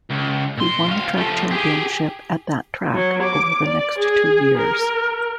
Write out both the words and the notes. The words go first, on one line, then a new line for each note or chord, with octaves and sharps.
He won the track championship at that track over the next two years.
C#2
A#2 C6
D2 F5
F3 A3
G4 G#4
F#3
D6
D5
G#4
A#4